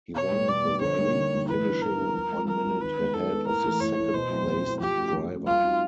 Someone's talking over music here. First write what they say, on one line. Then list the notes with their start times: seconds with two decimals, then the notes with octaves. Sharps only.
He won the rally, finishing one minute ahead of the second placed driver.
0.15 B2 C#5
0.32 G3 B3
0.48 B2 D5
0.65 G3 B3
0.81 D3 C#5
0.98 G3 A#3 D#4
1.15 D3
1.32 G3 A#3 D#4
1.48 E3 B4
1.65 G3 B3 D4
1.81 E3 A#4
1.98 G3 B3 D4
2.14 F3
2.31 G#3 C4 F4
2.48 F3 A#4
2.64 G#3 C4 F4
2.81 D#3 B4
2.98 G#3 B3
3.14 D#3 A4
3.31 G#3 B3
3.47 A2 A#4
3.64 E3 A3
3.80 A2 C#5
3.97 E3 A3
4.14 B2 C5
4.29 F#3 A3 C4 E4
4.47 B2
4.63 F#3 A3 C4 E4
4.80 F3 G4
4.97 A3 C#4 F#4
5.13 F3
5.30 A3 C#4 F#4
5.46 G3 F4
5.63 C4 D#4 F#4